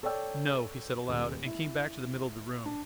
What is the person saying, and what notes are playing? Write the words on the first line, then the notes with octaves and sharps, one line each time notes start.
"No," he said aloud, and came back to the middle of the room.
A4 C#5 D5 G5 E6
D#1
E4
D4